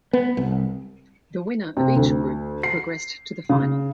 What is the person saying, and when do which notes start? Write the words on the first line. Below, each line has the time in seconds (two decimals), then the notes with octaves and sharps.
The winner of each group progressed to the final.
0.13 B3
0.37 C2
1.77 C3
1.96 D2
2.63 C7
3.49 C#3